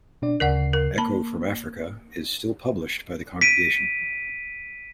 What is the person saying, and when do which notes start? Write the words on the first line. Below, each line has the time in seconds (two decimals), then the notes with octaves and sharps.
"Echo From Africa" is still published by the congregation.
0.22 B2 D4 D5
0.40 D2 C#3 A#4 D5 F#5 C7
0.73 A#4
0.98 A#3 A5 B5
3.41 B6 D7 D#7